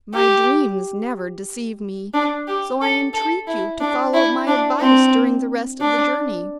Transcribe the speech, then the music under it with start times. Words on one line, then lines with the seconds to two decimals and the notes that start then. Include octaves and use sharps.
My dreams never deceive me, so I entreat you to follow my advice during the rest of the journey.'
0.15 G4
2.14 D4
2.48 G4
2.81 A4
3.13 A4
3.47 E4
3.80 D4
4.14 E4
4.47 D4
4.80 C4
5.81 D4